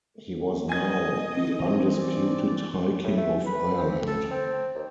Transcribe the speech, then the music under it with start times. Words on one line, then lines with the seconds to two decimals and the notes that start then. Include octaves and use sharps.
He was now the undisputed High King of Ireland.
0.69 D#5 G#5 G#6
1.60 E3 C4
2.00 D5
3.04 A2
3.18 A3
3.46 B4
3.78 C4
4.07 A4
4.31 C4
4.75 D#2